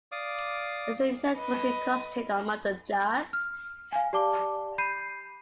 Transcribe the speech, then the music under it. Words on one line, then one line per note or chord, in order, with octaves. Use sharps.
His intent was to concentrate on modern jazz.
D5 F5 D6 D#6
B4 D#5
F6
F5 G#5
G4 D5 A5 D6 G7
B5 G6 C7 D#7